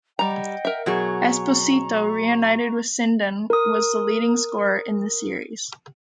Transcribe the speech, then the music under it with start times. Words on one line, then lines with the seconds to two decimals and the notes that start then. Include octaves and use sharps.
Esposito, reunited with Sinden, was the leading scorer in the series.
0.19 G3 D#5 F#5 G5 A#5
0.65 A#4 E5
0.86 B2 F#3 G#4 A#5 C#6
3.50 A#4 D#6